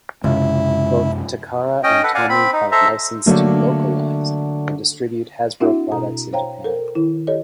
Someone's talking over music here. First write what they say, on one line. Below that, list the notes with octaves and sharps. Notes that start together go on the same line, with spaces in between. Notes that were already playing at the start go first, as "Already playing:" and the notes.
Both Takara and Tomy held licenses to "localise" and distribute Hasbro products in Japan.
C#2 F#2 C3 G#3 E4
C#4 D#5 G5
A4 B4 F#5
D5 F5 F#5 G#5
C4 B5
D#4
A4 C5 E5 A#5
D3 F#3 A3 A#3
C4 D4 E4 F#4 E5 F#5
B2 A4 A#5 D#6
C5 C#5 F5 G5 A#5
A4 A#4 C5
D#3 E4
G4 A4 C#5 D#5